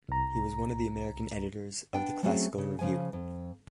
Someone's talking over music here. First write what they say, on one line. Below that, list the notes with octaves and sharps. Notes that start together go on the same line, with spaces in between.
He was one of the American editors of the "Classical Review".
C2 A#5
B3 D4 G5
F#3 A3 C4 C#4 F#4 G#4
C#3
C#3 F3 G#5
F2